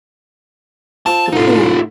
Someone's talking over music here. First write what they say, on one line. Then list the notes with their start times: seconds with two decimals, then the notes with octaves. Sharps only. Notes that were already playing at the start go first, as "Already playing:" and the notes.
the pool,
1.06 C4 F4 A5
1.33 C2 A2 D#4 F4